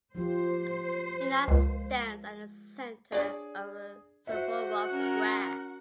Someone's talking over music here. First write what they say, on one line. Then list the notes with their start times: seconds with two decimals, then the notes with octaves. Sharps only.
It now stands at the centre of Suvorov Square.
0.15 F3 F4 G4 C5
1.48 C#2 G#3 A#3
3.12 D4 G#4 C#5 D5
4.27 F#4 C5 E5 F#5
4.90 C#4 A#4